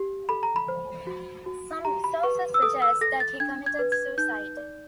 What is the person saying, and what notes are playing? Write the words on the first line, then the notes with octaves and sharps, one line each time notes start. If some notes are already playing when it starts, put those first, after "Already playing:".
Some sources suggest that he committed suicide.
Already playing: G4
A4 B5
A#5
B5
C5
F#4
F#4
G4 A#5
B5
B4 C#6
E6
A4 D#6
E6
A4 A#6
A6
D4 G#6
G#6
B4
G#6
D#4 G6
D5